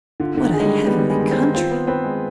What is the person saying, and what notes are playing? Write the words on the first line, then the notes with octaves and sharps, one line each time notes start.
What a heavenly country!
D3 F4
D3
D#3
G#4
G#3
G3
G3 B3
G3
G#3
D#3
C4
C4 F4
B3
C4 B4
G#3